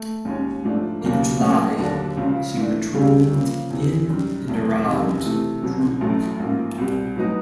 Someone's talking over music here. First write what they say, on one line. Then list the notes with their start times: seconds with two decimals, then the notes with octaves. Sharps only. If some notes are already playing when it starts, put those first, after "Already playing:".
In July, she patrolled in and around Truk.
Already playing: A3
0.25 D#2 D#3 G#3 C#4
0.63 G#2 F3 A3 D4
1.01 D#2 C#3 F#3 A#3
1.40 A#2 F#3 A3 C#4
1.79 D#2 D3 F#3 A#3 D4
2.17 C#2 C#3 F3
2.55 G#2 E3 A3 D4
2.93 D2 C3 D#3 G3
3.32 C#3 F3 A#3
3.70 E2 C3 E3
4.09 F#2 D#3 G3
4.48 F1 E2 B2 F#3 A3
4.86 F1 E2 C3 D#3 G#3
5.24 C3 E3 A3
5.62 C2 B2 F#3
6.01 A1 A2 F#3 A3
6.40 A1 G#2 F3 A#3
6.78 C2 B2 G3
7.16 A2 F#3 B3 D#4 F#4